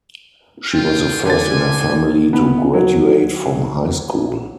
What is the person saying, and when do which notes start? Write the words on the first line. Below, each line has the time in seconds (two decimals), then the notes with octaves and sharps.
She was the first in her family to graduate from high school.
0.74 F4 G5
1.26 D3 D5 G#5 A5 A6
2.33 B3
2.74 F#3